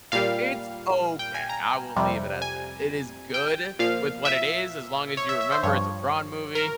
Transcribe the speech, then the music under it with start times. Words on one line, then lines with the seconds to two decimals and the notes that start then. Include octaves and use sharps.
It's okay, I will leave it at that, it is good with what it is, as long as you remember it's a Tron movie
0.12 A#2 G3 F5
1.19 G5
1.35 G#5
1.49 A#5
1.97 F2 C3 G3
2.42 G#5
3.34 G5
3.79 A#2 F3 F5
4.25 E5
5.17 C#5
5.29 E5
5.41 E5
5.52 C5
5.63 G2 F3 C#5
6.55 A#4